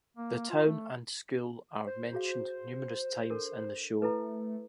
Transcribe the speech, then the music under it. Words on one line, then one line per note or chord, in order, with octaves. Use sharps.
The town and school are mentioned numerous times in the show.
A#3
F4
A3
C5
F#4 G#4 F5
D4 A4 A#4
A3 E4 A4 B4